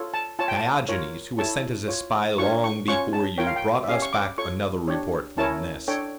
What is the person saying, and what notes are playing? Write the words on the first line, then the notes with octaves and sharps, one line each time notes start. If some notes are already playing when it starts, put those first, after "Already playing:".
Diogenes, who was sent as a spy long before you, brought us back another report than this.
Already playing: F4 A4 C#5
A5
F4 C#5 A5
G5
A5
F4 A#4 C#5
E4 A4 C#5 A5
F4 C#5
D4 F4 A#4 C#5 C#6
C#6
C#4 F4 C#5 C#6
A5
F4 A#4 C#5 G5
F5
G5
E5
C#4 G4 C#5 F5
C#6
D6
F4 A4 C#5 C#6
D4 G4 C#5
C#4 E4 A#4 C#5 A5
D4 A4 C#5 G5